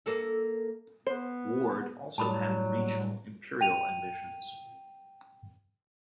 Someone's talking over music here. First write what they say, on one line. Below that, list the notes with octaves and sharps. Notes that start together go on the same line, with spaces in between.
Ward also had regional imperial ambitions.
A#3 A4 E5
B3 C5
A2 F#3 G3 A5 B5 D#6
G5 D#7 F7